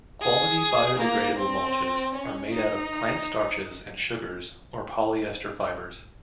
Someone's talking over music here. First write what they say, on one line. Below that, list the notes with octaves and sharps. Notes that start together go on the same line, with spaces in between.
Quality biodegradable mulches are made out of plant starches and sugars or polyester fibres.
G#4
A#3
C4
C#4
D#4